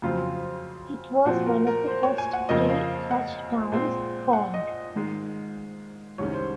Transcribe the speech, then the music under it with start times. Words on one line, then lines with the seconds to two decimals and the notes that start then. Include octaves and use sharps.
It was one of the first three such towns formed.
0.02 F2 C#3 F#3 C4 F4
1.25 A#2 F3 C4 F#4
1.47 A#4
1.67 A#4
1.87 C5
2.03 C#5
2.18 G#5
2.33 F#5
2.49 F2 C#3 F3 A#3 D#5
2.70 F5
3.11 F#5
3.72 A#2 G#3 C4
4.33 F#5
4.54 D#5
4.95 G#2 D#3 G#3
6.18 C2 C3 D#3 G#3 C#4 C#5
6.34 C5